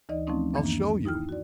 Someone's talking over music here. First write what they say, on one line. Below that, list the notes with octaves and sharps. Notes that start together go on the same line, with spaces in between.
I'll show you.
D2 E3 D#4 D5 D#5
F3 A3 C4 C#4 D#4
F#2 D#3 E3 A#3 D4
A#3
D#4 E4 G5 F6
F#4 D5